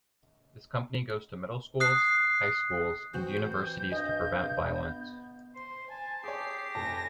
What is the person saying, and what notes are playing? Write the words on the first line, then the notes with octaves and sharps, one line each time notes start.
This company goes to middle schools, high schools, and universities to prevent violence.
D#6 F#6 C7
E3 C4 F#4 G6
G2 D#5
B3
C5 C6
G#5 A5
G4 G#4 C#5 C7
F1 G#5 A5 A#6